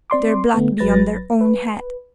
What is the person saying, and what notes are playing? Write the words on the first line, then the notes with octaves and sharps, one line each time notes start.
Their blood be on their own head!
C4 D5 C6 D6
D3 A3 B3
G#1 F#3 B4 A6 A#6
B4